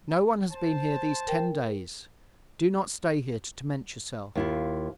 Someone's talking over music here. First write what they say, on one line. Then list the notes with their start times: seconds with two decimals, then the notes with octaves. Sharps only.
No one has been here these ten days. Do not stay here to torment yourself.
0.51 C5 A5
1.28 A#4 G5
4.35 D#2 E4 F4